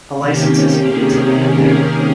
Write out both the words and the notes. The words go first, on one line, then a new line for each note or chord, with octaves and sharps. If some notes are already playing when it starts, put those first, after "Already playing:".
A licence is needed to land there.
C3 D#3 A#3 C#4 G4
G4
G#4
A#4